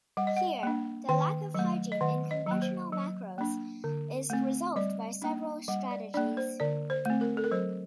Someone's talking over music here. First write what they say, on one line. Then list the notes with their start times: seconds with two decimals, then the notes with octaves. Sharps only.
Here the lack of hygiene in conventional macros is resolved by several strategies.
0.17 G3 F#5
0.27 D#5
0.36 F#5
0.63 A#3 D4
1.09 D#3 G5
1.54 F#3 A3
1.92 D#5
2.01 D#3 F#5
2.31 D#5
2.46 F#3 A#3
2.62 C5
2.93 F#3
3.38 A#3 D4
3.84 D3
4.30 A3 C4
4.76 G3 D5
5.22 A#3 D4
5.68 G3 F#5
5.91 D5
6.14 A#3 D4 D5
6.37 C5
6.60 D3 D5
6.90 C5
7.06 A3 C4
7.21 A#4
7.37 A4
7.44 A#4
7.51 F#3 C5